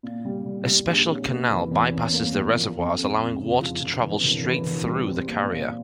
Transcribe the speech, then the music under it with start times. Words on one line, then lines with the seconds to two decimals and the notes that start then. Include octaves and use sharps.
A special canal bypasses the reservoirs allowing water to travel straight through the carrier.
0.03 A#2
0.25 G3
0.46 G3
0.67 G3
0.87 A#1
1.09 C#4
1.30 A#3
1.50 E3
1.71 E2
1.93 C#4
2.13 A#3
2.35 E2
2.56 F3
2.76 F2
2.98 F2
3.18 F2
3.39 C#3
3.61 F3
3.82 E1
4.03 E3
4.24 E1
4.44 E3
4.66 E1
4.86 G3
5.07 C4
5.28 A#2
5.49 A#2